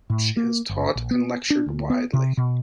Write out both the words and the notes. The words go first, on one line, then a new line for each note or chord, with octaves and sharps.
She has taught and lectured widely.
A2
A#3
G1
A#1
B3
D4
D2
B3
C3
B2